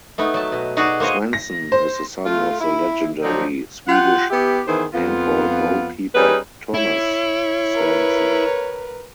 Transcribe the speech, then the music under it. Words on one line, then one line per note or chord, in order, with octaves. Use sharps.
Svensson is the son of the legendary Swedish handball goalkeeper Tomas Svensson.
A3 B3 D#4
F#3 A5
B2
D#4 F#4 G#4 D5
A#3 C5 C#5 D#5
A#6
C5
A3 F4
E4
F3 F#3 C4 D4 D#4
F4 G4 F#5
B3 E4 G4
D#3 E3 B3 G#4 C5
F2 B3 F4
G3 C#4 D#4 G#4 B4
E4 C#5
A#4 B4